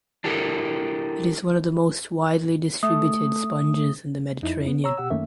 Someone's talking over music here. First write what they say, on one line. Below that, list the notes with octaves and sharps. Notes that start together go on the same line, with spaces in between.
It is one of the most widely distributed sponges in the Mediterranean.
D4 E4 G4 A4 A#4
A3 D#6
F2 D#4 E4
B3
C#5 A#5 E6
B2 G4 F#5 E6
F#2 D#3 A3 A#3 C#4 E5